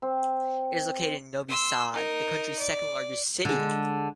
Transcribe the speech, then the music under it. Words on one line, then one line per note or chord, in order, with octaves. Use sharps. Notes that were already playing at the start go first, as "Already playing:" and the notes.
It is located in Novi Sad, the country's second-largest city.
C4
C6 E6
D#4 A#4
D5
D3 G#3